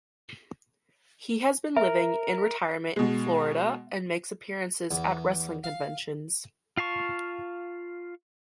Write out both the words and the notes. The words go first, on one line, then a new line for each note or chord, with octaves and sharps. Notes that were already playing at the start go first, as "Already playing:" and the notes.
He has been living in retirement in Florida and makes appearances at wrestling conventions.
A#4 E5
B2 G#3
E2
F5
F4 F5 A5 C#6